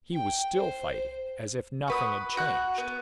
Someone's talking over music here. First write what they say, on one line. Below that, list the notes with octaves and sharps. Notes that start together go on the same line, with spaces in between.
He was still fighting, as if nothing had changed.
G5
C5
F#4 B4 D#6
F#4 F#6
B3